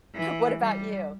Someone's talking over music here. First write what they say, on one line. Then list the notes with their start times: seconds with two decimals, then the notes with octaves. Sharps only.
What about you?
0.15 E3
0.60 G3